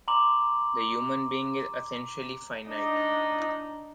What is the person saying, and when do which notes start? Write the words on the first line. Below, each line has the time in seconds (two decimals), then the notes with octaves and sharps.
The human being is essentially finite.
0.08 A#5 C6 D6 F#7
2.69 D4 D#4